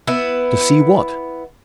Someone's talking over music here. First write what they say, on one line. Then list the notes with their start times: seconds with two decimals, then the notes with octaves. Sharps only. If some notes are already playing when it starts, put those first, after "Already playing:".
To see what?
0.07 B3 E4